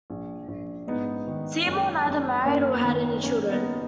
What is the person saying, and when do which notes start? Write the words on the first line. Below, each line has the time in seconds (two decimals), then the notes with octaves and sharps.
Seymour neither married or had any children.
0.10 A#1
0.48 A#1
0.87 G#2 B3 D#4
1.27 D#3
1.66 F#1
2.06 F#1
2.45 F#2 A#3 C#4
2.71 B3
2.84 D#3
3.23 F#1 A#3 C#4
3.50 B3 D#4